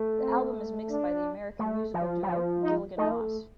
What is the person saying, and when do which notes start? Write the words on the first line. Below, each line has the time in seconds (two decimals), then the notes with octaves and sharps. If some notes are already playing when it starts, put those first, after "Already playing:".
The album is mixed by the American musical duo Gilligan Moss.
Already playing: A3
0.20 C4
0.90 D4
1.59 A3
1.94 F3
2.23 G3
2.29 F3
2.63 D#4
2.98 A3 D#4
3.11 A#3
3.21 A3